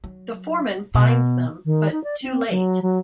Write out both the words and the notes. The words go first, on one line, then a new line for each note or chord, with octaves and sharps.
The foreman finds them but too late.
F#3
B2
D#3
D#4
D5
C4
F#3
F#3